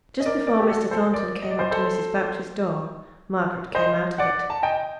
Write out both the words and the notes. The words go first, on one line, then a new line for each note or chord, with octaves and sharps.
Just before Mr. Thornton came up to Mrs. Boucher's door, Margaret came out of it.
D#5
A#4 D5
A#4 D5
G4
F#4 A4
A4 C5
A#4 D5
D#5
D5
C5 D#5
A4 C5
C5 D#5
D5 F#5
A5
D#5 G5